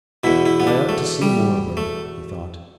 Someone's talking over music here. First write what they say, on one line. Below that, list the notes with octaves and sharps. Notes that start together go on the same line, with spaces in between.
"I ought to see more of her," he thought.
E2 B2 E4
E4
B3
D4
A3
G3
A3